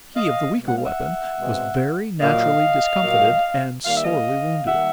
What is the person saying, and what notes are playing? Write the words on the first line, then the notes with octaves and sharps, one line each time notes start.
He of the weaker weapon was very naturally discomfited and sorely wounded.
D#5 F5
B2 G#3 C4
F#5
F5
E5 F#5
B2 G#3 C4
A#2 F#3 A#3 D#5 F5
A#2 F#3 A#3
D#3 G3 A#3 F5
E5
D#5 F5
D#3 G3 A#3 E5 F#5